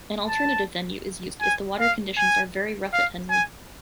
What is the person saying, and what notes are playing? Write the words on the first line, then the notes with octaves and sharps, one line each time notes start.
An alternative venue is used if the water conditions are very rough at Henley.
A5
G#5
F5
G#5
F5
G#5